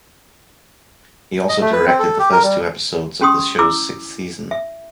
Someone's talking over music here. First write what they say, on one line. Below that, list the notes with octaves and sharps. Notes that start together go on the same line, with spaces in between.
He also directed the first two episodes of the show's sixth season.
D#5
A3
B4
C4
A4
G4
A#4
G3
C#4 G4 C6 D#6
E4 D6 E6
E5